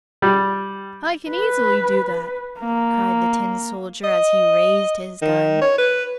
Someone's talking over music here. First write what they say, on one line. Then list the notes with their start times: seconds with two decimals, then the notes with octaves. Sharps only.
"I can easily do that!" cried the tin soldier, as he raised his gun.
0.22 G3
1.31 B4
2.60 A#3
4.04 D#5
5.22 D#3
5.62 C#5
5.78 B4